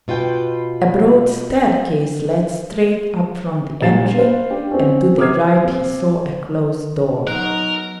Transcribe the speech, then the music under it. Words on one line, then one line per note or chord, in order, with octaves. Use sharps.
A broad staircase led straight up from the entry, and to the right he saw a closed door.
B2 F4 B4 G5
A#1 A#2 G3 A6 C7 E7
B4 C5 F5
D4 G4 G5
C4 C#4
D6 D#6 F6 G#6 C7
C4
B1 F#3 D#4 A#4 C6 F#6